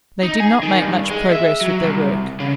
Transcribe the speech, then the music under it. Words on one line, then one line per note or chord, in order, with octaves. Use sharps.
They did not make much progress with their work.
D#4
G#4
D#3
G2
G#3
E5
F#3
C2
C#3